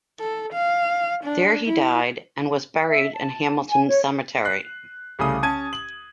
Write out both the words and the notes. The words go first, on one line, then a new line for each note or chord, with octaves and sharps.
There he died and was buried in Hamilton cemetery.
A4
F5
D4
E4
E5
A5
G#5
C#5
F#6 C7
C2 C#3 A3 D#6
C#4 A5 G#6 D#7
F#7